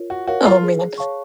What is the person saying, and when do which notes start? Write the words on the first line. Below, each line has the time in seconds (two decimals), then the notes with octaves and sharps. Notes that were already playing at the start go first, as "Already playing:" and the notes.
Oh, man.
Already playing: F4 A#4 C#5
0.10 F#4
0.27 F#4 A#4 C#5 F5
0.45 F4
0.63 G#4
0.98 C#5 F5 A5 C#6